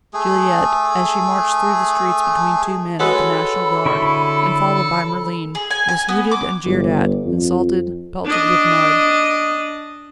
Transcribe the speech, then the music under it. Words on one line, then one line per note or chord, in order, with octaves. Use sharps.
Juliette, as she marched through the streets between two men of the National Guard, and followed by Merlin, was hooted and jeered at, insulted, pelted with mud.
A3 G#4
F#3 G#3 A4 B4 B5
D3 E4 C#6
G#4
G#5
G#5
B3
D6
G1
F2
D4 D#5